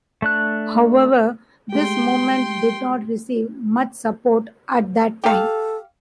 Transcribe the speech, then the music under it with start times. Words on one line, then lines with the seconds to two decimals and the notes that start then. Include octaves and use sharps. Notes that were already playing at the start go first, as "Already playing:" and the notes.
However, this movement did not receive much support at that time.
0.22 A3 D4 F#6
1.73 G#3 A3 G4 G5 C6
5.24 G4 A4 F5